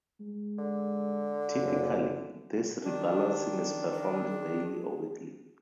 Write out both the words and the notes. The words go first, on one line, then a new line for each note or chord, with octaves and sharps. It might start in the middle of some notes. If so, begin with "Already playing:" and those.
Typically, this rebalancing is performed daily or weekly.
G#3
D3
F#1
D#3 D4 G4
A#4
G#4